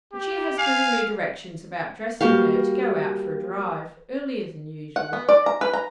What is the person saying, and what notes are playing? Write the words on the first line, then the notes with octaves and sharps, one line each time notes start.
But she has given me directions about dressing her, to go out for a drive--earlier than usual.
G4
F5 G#5
G3 A#3 F#4 G4 F5
F#5
B3
D5
A#5
B4
A#5